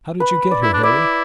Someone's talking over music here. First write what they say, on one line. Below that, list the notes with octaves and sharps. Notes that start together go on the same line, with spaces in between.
How did you get here, Harry?
B4
D5
E4
D4
E4 D5